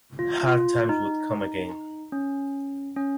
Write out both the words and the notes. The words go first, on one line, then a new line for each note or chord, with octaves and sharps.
Hard times would come again.
F4
F4
D#4
C#4
C#4